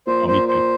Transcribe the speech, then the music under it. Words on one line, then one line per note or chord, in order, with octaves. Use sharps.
Oh, me too.
A#2 C5
C5
C5